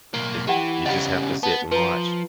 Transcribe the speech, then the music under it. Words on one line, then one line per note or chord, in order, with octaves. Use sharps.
It's j you just have to sit and watch.
B1 A#3
E3 G4 F#5 G5
C#3 G3 D#5 F#5 B5
B3 A5
F3 B4 A#5